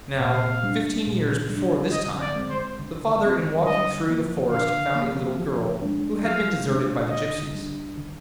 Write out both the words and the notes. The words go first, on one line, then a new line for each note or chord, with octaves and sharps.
Now, fifteen years before this time, the father in walking through the forest found a little girl, who had been deserted by the gypsies.
A#2 F5
G3 D4
A#2
G3 D4
D3 D#5
D5
G#3 C4
C5
D3
G#3 C4
D3 D#5
F3 A#3
D3 F5
F3 A#3
F3
G#3 D4
F3 F5
G#3 D4
D3 D#5
G3 D4
D3